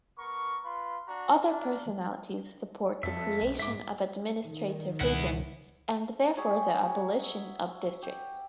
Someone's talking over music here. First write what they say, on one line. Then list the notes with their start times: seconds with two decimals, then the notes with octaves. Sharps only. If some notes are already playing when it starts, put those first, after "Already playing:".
Other personalities support the creation of administrative regions and therefore the abolition of districts.
0.19 B3 A#4 C#6
0.64 F4 B4 B5 C6
1.07 D4 F#4 A#5
1.48 D4 A#4
3.03 F2 A4 E5
3.42 B1
3.59 G#2 E5 D6
4.44 D#3
5.01 C#2 B2 G3 E4 F#5
6.37 G4 G#4 C#5 B5
6.82 F#3
7.23 E5
8.02 G4